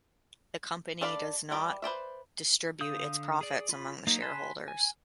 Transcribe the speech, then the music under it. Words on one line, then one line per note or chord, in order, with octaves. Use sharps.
The company does not distribute its profits among the shareholders.
D4 A4 D5 F5 B5
E3 G3 D5
B4 C5 D5 E5
D3 F5 D#6 G6
G#4 D5
F4 B5
F#3 A#3 D#4
G#5 A5 B5 C6 F#6
G#5